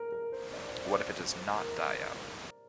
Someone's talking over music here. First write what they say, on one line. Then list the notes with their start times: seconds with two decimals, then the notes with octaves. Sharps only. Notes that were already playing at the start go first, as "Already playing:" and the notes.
What if it does not die out?
Already playing: A#4
0.12 A#4
0.32 C5
0.53 D5
0.74 C5
0.85 D5
0.96 C5
1.57 A#4